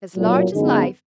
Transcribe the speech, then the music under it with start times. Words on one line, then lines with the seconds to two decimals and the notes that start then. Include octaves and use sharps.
"As large as life."
0.16 B1 A#2 F#3
0.54 F#2 D3 G#3 B3 D#4